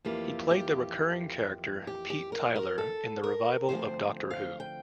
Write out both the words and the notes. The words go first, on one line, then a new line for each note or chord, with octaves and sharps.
He played the recurring character Pete Tyler in the revival of "Doctor Who".
F2 E3 A#3 F4 G4
G4
G4
G4
A#4
A#4
A4
A#4
D2 C3 F3 C4 C5
F5
G5